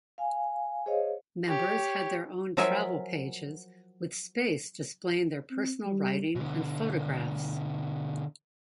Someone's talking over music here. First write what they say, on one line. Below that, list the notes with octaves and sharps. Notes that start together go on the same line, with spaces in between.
Members had their own travel pages with space displaying their personal writing and photographs.
F5 G#5
G#4 C5 C#5 D#5 F5
G4 C#5
F3 F#3 A#4 E5 G#5
C4
G3
B2 D3